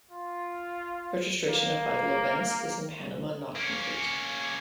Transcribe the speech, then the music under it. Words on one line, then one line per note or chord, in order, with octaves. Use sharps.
Registration of vital events is in Panama not complete.
F4
A#3
A#3 C#4